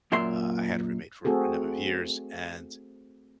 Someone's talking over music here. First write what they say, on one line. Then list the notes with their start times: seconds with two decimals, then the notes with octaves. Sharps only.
uh, I had a roommate for a number of years, and
0.12 F#2 A#2 A#4 E5 C6
1.25 A3 C4 F#4 G#4 A4